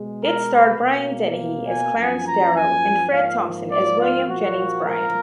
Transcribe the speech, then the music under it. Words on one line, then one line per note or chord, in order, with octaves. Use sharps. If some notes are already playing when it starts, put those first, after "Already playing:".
It starred Brian Dennehy as Clarence Darrow and Fred Thompson as William Jennings Bryan.
Already playing: B2 G#3
A#4
B4
B2 A#3
G#5
F#2 F3 A#3 G#5
A#5
G#5
G#2 F3 A#3 F5
D5
F4
A#2 F3 A#3 F#4
A#4